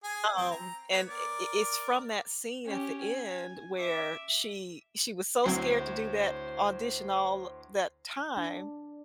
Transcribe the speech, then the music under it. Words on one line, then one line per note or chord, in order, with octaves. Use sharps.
Um, and, i i it's from that scene at the end where she she was so scared to do that audition all that time,
G#4 G#5
C4
A#5
B3 C#5
A#4 D5
C#4 G4
G#5
E5 D6
D2 F#3 C4 E4 C5 C#5 G#6
D4